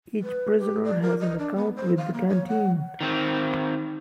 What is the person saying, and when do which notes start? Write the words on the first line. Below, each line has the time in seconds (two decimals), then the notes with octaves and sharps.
Each prisoner has an account with the canteen.
0.23 B4
0.59 G4
0.84 D5
1.02 A#4
1.21 D#5
1.39 D4
1.56 B3
1.76 C5
1.98 F5
2.14 A#3
2.28 C#5
2.48 F#5
3.01 D#3 C4